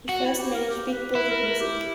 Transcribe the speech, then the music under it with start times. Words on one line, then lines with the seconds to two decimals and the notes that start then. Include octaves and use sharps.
He first managed Big Bully Busick.
0.09 F#4
0.24 E4
0.38 G4
0.54 A#4
0.70 G4
0.92 B4
1.15 E4 B4
1.30 A#4
1.45 A#4
1.60 G4